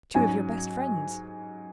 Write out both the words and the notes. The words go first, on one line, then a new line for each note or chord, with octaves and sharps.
"Two of your best friends."
G#2 F#3 C#4 G#5